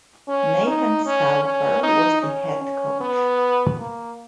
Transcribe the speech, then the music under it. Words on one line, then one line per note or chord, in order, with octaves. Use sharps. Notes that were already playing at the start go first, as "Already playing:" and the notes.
Nathan Stauffer was the head coach.
C#4
D#4
C#4
C#4
D#4
C#4
C#4
B3
A#3